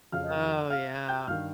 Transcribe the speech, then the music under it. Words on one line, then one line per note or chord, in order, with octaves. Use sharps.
Oh, yeah.
F2 C#3 F3 F5 F6
F5 F6
G5 G6
G2 D#3 F5 F6